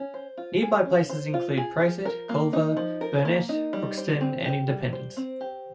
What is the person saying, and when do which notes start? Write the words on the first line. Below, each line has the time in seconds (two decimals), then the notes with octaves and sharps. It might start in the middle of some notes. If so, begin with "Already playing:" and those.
Nearby places include Prosit, Culver, Burnett, Brookston, and Independence.
Already playing: C#4
0.14 C5
0.37 F4
0.62 G#4
0.85 C#4
1.09 C5
1.34 F4
1.57 G#4
1.81 F3
2.05 A#4
2.29 A#3
2.53 D#4
2.77 F3
3.01 A#4
3.25 A#3
3.49 D#4
3.73 G3
3.97 C5
4.21 C4
4.45 G4
4.68 G3
4.93 C5
5.17 C4
5.41 G4